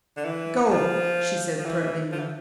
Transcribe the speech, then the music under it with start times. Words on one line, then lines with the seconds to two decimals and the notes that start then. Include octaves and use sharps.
"Go!" she said threateningly.
0.17 D3
0.25 E3
0.71 F3
1.59 F3
1.65 E3
2.12 F3
2.19 E3